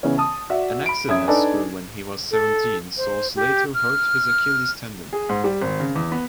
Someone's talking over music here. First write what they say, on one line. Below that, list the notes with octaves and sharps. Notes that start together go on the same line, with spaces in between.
An accident at school when he was seventeen saw Slater hurt his Achilles tendon.
C#3 E3 B3 C#4
A5 D#6
F#4 D5 E5
B5 D7
F#2 E5 D#6 G#6
D4 D#4 A4 B4 D5 G#5
A4
C5
G4
F6
G#4
G#2
G3
G#1
C#3
E2
B3